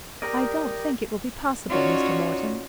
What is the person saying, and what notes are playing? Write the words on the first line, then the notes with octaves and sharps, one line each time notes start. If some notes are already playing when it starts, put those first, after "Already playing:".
"I don't think it will be possible, Mr. Morton."
G4 A#4 D5 D#5
C#4 D#4 F4 F#4 C#5 D5